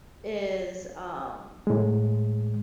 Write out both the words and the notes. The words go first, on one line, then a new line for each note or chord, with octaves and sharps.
is, um
A2 G#3